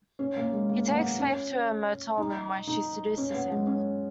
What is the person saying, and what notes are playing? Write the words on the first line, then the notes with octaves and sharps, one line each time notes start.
He takes Faith to her motel room where she seduces him.
C#4
A#3
G#3
A#3
A#3
B3
C#4
D#4
D#4
C#4
B3
G#3
C#4